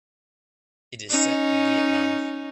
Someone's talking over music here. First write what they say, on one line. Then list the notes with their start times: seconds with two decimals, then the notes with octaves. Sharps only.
It is set in Vietnam.
1.10 C#4 D#4